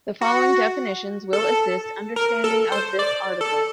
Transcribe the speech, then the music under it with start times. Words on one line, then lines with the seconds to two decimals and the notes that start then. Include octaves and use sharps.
The following definitions will assist understanding of this article.
0.21 F#4
1.33 A4
2.16 A#4
2.44 A4
2.72 C5
2.99 D5
3.41 A4